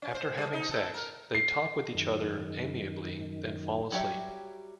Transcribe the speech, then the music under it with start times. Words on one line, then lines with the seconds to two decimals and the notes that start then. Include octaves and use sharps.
After having sex, they talk with each other amiably, then fall asleep.
0.02 C#4
0.14 C5
0.37 G3
0.53 D#4
0.71 A4
0.94 A#4
1.35 C7
1.94 F#2 D#3
3.92 F#3 G3 G4 C#5 E5